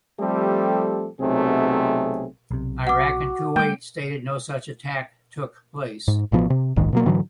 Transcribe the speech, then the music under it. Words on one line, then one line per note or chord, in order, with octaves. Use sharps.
Iraq and Kuwait stated no such attack took place.
F3 G3 A3 C4 G4 A4
B1 C3 F#3 A3 C4 G#4
B1 C3
F#4 F#5 D6
G3 A3 G5
G#2
A1 B2 F3 B3
C3
D1 A#1 G#2 D#3
B2 F#3 A#3
G#2 D3 E3 F#3